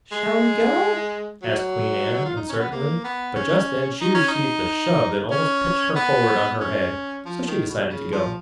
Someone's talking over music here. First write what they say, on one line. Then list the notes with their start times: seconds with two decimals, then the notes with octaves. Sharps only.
"Shall we go?" asked Queen Ann, uncertainly; but just then she received a shove that almost pitched her forward on her head; so she decided to go.
0.12 G#3
1.42 F#3
2.25 F4
2.36 D#4
2.49 C#4
2.59 B3
2.72 A#3
3.04 B3
3.36 C#4
4.01 D#4
4.14 C#4
4.28 D#4
5.31 C#4
5.96 B3
6.61 C#4
7.25 F3
7.48 D#3
7.68 B2
7.90 C#3
8.12 F3